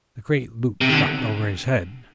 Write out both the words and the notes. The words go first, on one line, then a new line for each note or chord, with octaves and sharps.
The great loop dropped over his head.
C3
D#3
D3